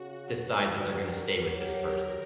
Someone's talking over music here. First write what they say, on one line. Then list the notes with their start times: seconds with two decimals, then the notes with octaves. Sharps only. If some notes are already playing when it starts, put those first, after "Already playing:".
decide that they're gonna stay with this person.
Already playing: C#3 F#4
0.63 D3 G4
1.02 A#4
1.42 F#3 G4
1.82 A#4